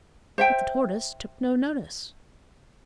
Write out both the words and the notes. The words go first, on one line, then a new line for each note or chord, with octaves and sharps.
But the tortoise took no notice.
C5 E5 G5